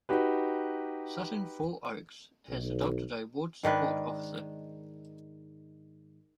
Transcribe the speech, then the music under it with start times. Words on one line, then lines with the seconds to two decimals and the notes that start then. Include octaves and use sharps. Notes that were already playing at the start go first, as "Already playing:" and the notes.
Sutton Four Oaks has adopted a Ward Support Officer.
0.09 D#4 F#4 G4 B4
2.49 B1
3.63 G#2 D#3 D4 B4